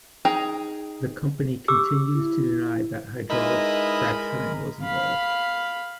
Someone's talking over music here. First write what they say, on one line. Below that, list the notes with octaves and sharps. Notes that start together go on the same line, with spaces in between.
The company continues to deny that hydraulic fracturing was involved.
D#4 G#4 G5 A#5
G4 D6 E6
E4
G#3 D#4 E4 A#4 B4 B5
F5 B5